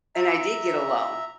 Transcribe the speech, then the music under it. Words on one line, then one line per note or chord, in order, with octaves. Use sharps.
and I did get a loan
E5 A#5